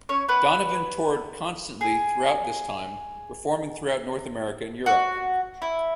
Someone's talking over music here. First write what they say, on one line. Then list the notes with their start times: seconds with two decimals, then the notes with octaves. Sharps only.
Donovan toured constantly throughout this time, performing throughout North America and Europe.
0.09 C#4 C#5
0.29 B3 B4
1.81 G#4
4.86 F#4
5.62 E4